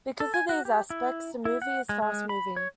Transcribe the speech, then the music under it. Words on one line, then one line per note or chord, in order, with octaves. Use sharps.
Because of these aspects, the movie is fast-moving.
A4
G#5
F#4
G4
E4
E4
F#5
G#3
G#3
B5
C#5